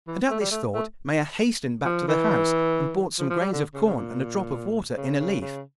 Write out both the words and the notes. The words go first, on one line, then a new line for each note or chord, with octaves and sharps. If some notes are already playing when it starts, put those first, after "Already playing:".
And at this thought Maia hastened back to the house, and brought some grains of corn, and a drop of water in a leaf.
E3
A3
G3
A3
A3
F3
E3
F3
F3
G3
D3
C#3
C#3
A#2
C#3
C#3
C#3